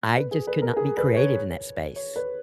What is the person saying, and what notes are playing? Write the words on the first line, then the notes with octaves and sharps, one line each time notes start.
I just could not be creative in that space.
B4
G#4
B4
A#4
G#4
B4
C#5
C#5
B4